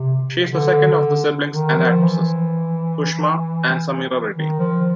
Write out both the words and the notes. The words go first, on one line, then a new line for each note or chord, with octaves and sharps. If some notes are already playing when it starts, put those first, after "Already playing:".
She is the second of the siblings and actresses, Sushma and Sameera Reddy.
Already playing: C3
D3
D3
D#3
F3
E3
D#3
F3